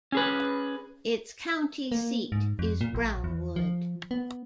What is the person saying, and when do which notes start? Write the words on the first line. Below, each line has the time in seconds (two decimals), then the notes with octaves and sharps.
Its county seat is Brownwood.
0.12 C#4 G#4 B4
1.92 A#3
2.32 G#2
2.59 F2
2.81 A#2
2.95 A#1
3.24 E2
3.56 F3
4.11 B3